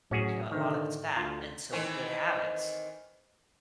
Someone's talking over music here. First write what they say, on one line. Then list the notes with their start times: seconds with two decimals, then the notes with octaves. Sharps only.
you know, a lot of it's fat, and so, with good habits
0.11 A2 F#3 C#4 F#4 G#4
0.51 D3 D#3
1.16 D2 F4
1.72 D#3 E3 C4